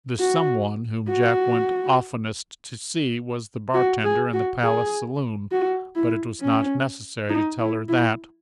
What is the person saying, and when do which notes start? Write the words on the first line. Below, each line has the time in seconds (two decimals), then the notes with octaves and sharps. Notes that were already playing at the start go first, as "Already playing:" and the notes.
The "some one" whom Jack went oftenest to see was the bartender in the Palace saloon, but it was not necessary to tell her that.
0.19 F#4
1.08 F#4
3.74 F#4
4.04 G#4
4.33 F#4
4.63 G#4
5.52 F#4
5.96 E4
6.41 C#4
7.29 D#4
7.59 E4
7.88 E4